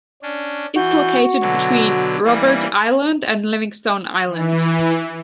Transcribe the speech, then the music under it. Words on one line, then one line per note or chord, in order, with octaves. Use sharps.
It’s located between Robert Island and Livingston Island.
C#4 D4
E3 F#4 G6
B2 D3 F#3
E3 G3 A#3
E3